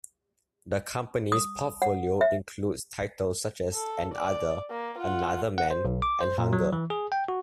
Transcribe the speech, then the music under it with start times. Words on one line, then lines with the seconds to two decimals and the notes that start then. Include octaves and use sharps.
The company's portfolio includes titles such as AnOther, Another Man and Hunger.
1.32 D#6
1.82 F#5
2.21 E5
3.74 A4
4.15 D5
4.71 A#3
4.99 F4 F#5
5.58 F#5
5.71 C5
5.85 B1
6.02 D6
6.21 C5
6.38 A#2
6.53 F#3
6.73 E3
6.90 G#4
7.12 G5
7.28 F#4